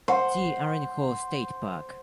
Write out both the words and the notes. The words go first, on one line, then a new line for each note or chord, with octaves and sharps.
See Iron Horse State Park.
C5 F#5